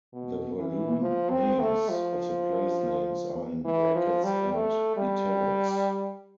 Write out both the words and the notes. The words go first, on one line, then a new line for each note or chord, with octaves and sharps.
The Walloon names of the place names are in brackets and italics.
B2
E3
F3
C4
A3
F3
E3
F3
G3
A3
G3